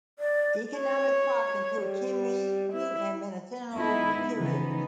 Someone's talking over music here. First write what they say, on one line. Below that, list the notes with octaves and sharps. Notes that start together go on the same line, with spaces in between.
Economic crops include Kiwifruit and medicinal materials.
D5
C#5
G3
E4
G#3 B3 D#4 E4
C#3 E3 F3 B3 D#4